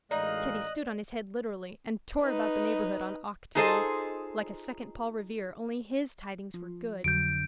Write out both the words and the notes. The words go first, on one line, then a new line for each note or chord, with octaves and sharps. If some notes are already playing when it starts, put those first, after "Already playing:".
Teddy stood on his head literally, and tore about the neighbourhood on Octoo, like a second Paul Revere--only his tidings were good.
A1 G#3 D#4 A#4 D5 D#5 F5 F#6
D#4 B4
D#4 F4 G#4 A4 C5 D#5
F3
F2 D3 F#3 G6 D7